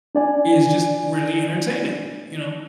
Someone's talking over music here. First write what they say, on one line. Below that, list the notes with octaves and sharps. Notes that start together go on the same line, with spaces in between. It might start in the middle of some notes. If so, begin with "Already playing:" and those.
is just really entertaining. You know?
D4 D5 G#5